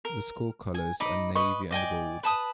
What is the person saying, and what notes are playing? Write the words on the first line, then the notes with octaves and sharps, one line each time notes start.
The school colors are navy and gold.
A#4
G#5
D#4 D#5 B5 D6
B4 D#5 C#6
D5 D#5 G5 G#5
B4 A5 D#6